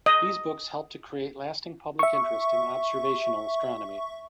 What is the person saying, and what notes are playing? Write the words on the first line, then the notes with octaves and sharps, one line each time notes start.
These books helped to create lasting public interest in observational astronomy.
D#5
E5 C#6